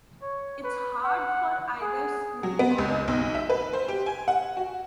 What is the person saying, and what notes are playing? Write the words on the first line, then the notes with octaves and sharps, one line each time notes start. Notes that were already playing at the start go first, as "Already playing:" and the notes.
Its hard for either school or a company.
C#5
B4
F#5
G#4
F#3
B3
C#2
B1
E5
B4
C5
G4
G#5
F#5
F#4